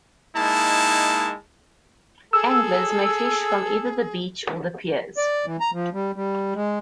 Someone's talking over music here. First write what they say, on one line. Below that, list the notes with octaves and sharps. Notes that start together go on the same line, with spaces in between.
Anglers may fish from either the beach or the piers.
G#3 A#3 D#4 E4 A5
G#4 A4 E6
D5
E3
A#5
F3
G3
G3
G#3